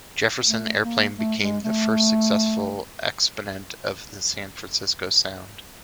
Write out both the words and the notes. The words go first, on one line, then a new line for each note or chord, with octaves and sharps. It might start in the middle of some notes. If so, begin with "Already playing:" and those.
Jefferson Airplane became the first successful exponent of the San Francisco Sound.
A3
A#3
A3
G#3
A3